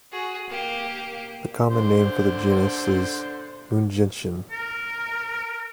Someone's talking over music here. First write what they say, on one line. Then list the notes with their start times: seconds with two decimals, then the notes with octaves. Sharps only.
The common name for the genus is 'Moon-gentian'.
0.12 F#4 G#4
0.49 A#3 G4
1.71 D3 C5
4.51 A#4